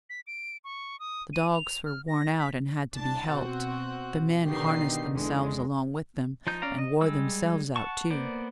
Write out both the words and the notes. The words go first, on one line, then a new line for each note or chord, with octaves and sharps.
The dogs were worn out, and had to be helped; the men harnessed themselves along with them, and wore themselves out too.
B6
D7
C#6
D#6
D#7
F7
F6
A#6
B6
C2 D4 A5 A6
B2 C4 F#4
B2 D3 D#3 D#4 G4 C7
E2 D3 G#3
F3 D#4 G6
C#4 D5 F5 A#5
D#5
G3 G#3 E6
F#5 A5 C#6
A#3 B3 C5 D5